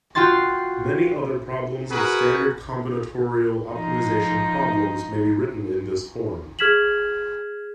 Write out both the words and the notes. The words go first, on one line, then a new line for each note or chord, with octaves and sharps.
Many other problems of standard combinatorial optimization problems may be written in this form.
F4 F#4 G5 C6 A6
F#4 G#4 A#4 B4
F3 D#4
G#4 F6 G#6 B6 E7 F#7